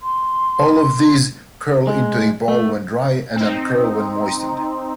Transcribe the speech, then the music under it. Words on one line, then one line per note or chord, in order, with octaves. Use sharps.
All of these curl into a ball when dry and uncurl when moistened.
C6
G#3
A3
C4 D#4